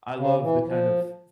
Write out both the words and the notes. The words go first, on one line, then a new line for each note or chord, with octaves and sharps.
I love the kind of
C#3
E3
F3